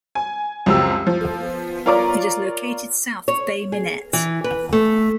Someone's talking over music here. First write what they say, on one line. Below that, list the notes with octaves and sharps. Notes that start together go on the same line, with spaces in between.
It is located south of Bay Minette.
G#5
C#2 F#2 F3 C4 G4 E6
F3
F4 A#4 C#5 D5 A#5 D6
C#5
G#4
E3
B4
A3